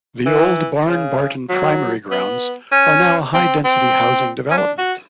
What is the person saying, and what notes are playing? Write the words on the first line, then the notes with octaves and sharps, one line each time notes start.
The old Barne Barton Primary grounds are now a high density housing development.
E3
C#3
F#3
B3
C#4
C4
C4
C#4
D4
F#4